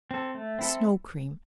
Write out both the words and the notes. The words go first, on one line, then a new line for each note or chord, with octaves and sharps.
Snow Cream.
C4 A4
A3
C4 E4 A4